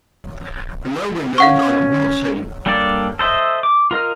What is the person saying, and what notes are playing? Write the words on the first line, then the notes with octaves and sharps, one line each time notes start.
The lower windows I could not see.
C#4 F5 F#5 C#6
G3 A#3 D4 A4 D5
A4 C5 D#5 E5
D6
F4 A#4 D#5 F6